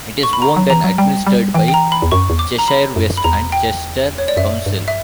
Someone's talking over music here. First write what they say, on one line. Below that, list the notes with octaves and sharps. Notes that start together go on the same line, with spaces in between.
It is owned and administered by Cheshire West and Chester Council.
C#6
B5
A#5
F#3
E3 A#5
F#3
G3 G5
G3
E3 G5
G5
A#5
B5
E2
F#2 C#6
E2
D6
A#5
B5
F#2
B5
E2 A#5
G5
C#5
D5
F#2 E5
G2
E5